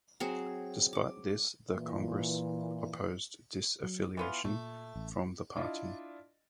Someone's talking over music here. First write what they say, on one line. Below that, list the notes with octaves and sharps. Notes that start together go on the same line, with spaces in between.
Despite this the Congress opposed disaffiliation from the party.
F#3 C4 G#4
D6
A#2 E3
F#3
E3 B3 F4
A#2 A3
A1
D4 E4 F4 D5 D#5